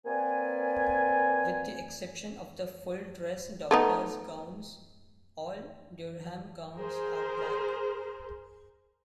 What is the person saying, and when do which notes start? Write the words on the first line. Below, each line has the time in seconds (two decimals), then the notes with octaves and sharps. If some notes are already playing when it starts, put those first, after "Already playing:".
With the exception of the full-dress doctors' gowns, all Durham gowns are black.
0.06 A#3 C4 B4 D5 G#5
3.71 A3 B3 D#4
6.79 G#4 A#4 C5